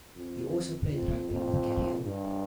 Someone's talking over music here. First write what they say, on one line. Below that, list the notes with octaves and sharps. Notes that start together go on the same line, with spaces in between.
He also played rugby with Garryowen.
F2
F2
F2
G2